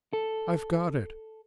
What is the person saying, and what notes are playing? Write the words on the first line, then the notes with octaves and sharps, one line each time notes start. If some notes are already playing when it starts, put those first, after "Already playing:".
I've got it!'
A4